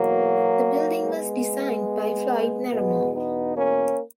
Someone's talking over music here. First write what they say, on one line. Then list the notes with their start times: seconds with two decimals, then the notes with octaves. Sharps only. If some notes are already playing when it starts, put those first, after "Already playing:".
The building was designed by Floyd Naramore.
Already playing: E2 B2 F#3 A#3
1.02 G#3 B3
2.71 E2 B2 G#3 B3
3.13 B3 D#4
3.55 A#3 C#4